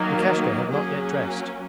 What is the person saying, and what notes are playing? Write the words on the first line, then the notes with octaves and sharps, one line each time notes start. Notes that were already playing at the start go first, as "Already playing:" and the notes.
Lukashka had not yet dressed.
Already playing: D#3 F#3 A#3
F#3 A#3 C#4 G#4